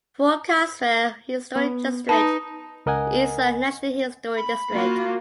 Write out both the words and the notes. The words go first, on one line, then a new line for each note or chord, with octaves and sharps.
Fort Caswell Historic District is a national historic district.
B3
D#4 B4 A5
C#2 A#4 D#5 F#5 G#5
B5
A#3 F4 F#4